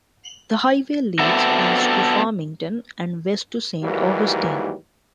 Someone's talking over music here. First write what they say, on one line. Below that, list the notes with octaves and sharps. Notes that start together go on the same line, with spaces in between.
The highway leads east to Farmington and west to Saint Augustine.
B3 C4 D4 F#4 A4 E5
D#2 G#2 E3 F#3 G3 A#3